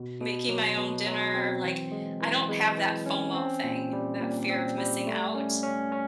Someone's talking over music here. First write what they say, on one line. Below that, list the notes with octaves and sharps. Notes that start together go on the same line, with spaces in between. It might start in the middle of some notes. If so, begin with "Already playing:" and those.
making my own dinner, like, I don't have that FOMO thing, that fear of missing out
Already playing: B2
B2
F#3
B2
F#3
C4
E3
G#3
E3
G#3
E3
C#4
C4
A#2
G3
A#2
C4
G3
A3
C#4
C#4
C#4